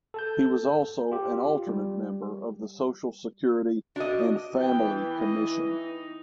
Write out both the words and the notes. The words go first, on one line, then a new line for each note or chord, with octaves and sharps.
He was also an alternate member of the Social Security and Family Commission.
A4 A5 G6
F4 G4
G3
D4 F#4 D#5
E3 B3 G5
E4 D#5
D#4